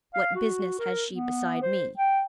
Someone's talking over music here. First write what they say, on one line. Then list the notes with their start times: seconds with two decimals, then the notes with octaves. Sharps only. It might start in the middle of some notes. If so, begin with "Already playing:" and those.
"What business has she beside me!"
0.14 F5
0.35 F#4
0.79 A#4
1.11 B3
1.62 C5
1.97 G5